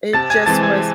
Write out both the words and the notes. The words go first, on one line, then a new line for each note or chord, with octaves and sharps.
it just was
C3 A5 A6
G#5 G#6
E3 G#3 C4 A5 A6
G#5 G#6